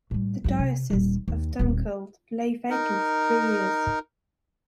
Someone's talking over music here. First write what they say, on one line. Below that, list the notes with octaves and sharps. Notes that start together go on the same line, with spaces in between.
The diocese of Dunkeld lay vacant for three years.
A2 G3
G#2 F#3
C3
D#1 G3
D#2
D#1 C4
D#4 A#4